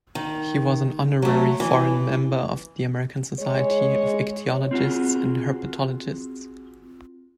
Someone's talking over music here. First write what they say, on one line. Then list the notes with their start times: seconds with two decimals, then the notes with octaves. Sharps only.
He was an honorary foreign member of the American Society of Ichthyologists and Herpetologists.
0.15 D#3
1.22 F#3 A3
1.60 E3
3.40 G#3 C#5
4.71 C4 F4 F#4 G#4